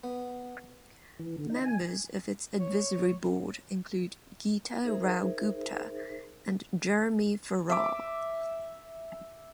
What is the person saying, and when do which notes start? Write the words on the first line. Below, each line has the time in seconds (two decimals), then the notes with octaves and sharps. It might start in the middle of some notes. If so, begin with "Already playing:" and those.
Members of its advisory board include Geeta Rao Gupta and Jeremy Farrar.
0.04 B3
1.19 E3
1.38 D3
1.50 D#4
1.64 G#5
2.59 C#5
4.84 D#4 G#4 A#4 C5 E5
7.70 E5 D6